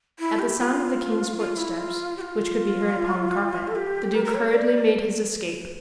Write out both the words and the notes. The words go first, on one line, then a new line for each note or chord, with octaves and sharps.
At the sound of the king's footsteps, which could be heard upon the carpet, the duke hurriedly made his escape.
E4
G4
F4
F4
E4
F4
G4
F4
A4
G4
A#4
A#4
C#5
D5